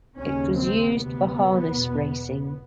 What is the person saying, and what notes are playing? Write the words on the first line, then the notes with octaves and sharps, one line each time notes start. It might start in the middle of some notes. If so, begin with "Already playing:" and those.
It was used for harness racing.
D#2 C#3 C#4
C4
D2 C3 B3
E2 B2